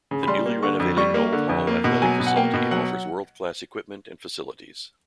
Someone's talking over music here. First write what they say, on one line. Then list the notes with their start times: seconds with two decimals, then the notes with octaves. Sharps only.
The newly renovated Nold Hall athletic facility offers world-class equipment and facilities.
0.11 C#3
0.23 B5
0.27 G3 C6
0.46 A#3
0.63 D3 C#6
0.80 F2
0.97 G3 C#6
1.14 A#3
1.32 D3
1.49 F2
1.67 A#3
1.84 B2
2.02 F#3 G#5
2.20 B2
2.27 F#5
2.36 A#3 G5
2.54 B2
2.71 F#3 F#5